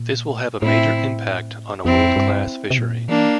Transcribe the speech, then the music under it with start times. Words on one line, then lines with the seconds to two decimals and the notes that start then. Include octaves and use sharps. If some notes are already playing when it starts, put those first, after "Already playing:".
This will have a major impact on a world-class fishery.
Already playing: A#2
0.62 A2 C4 E4
1.85 F2 C4 E4
2.16 G2
2.70 C3
2.78 A#2
3.08 E3 A#3 D4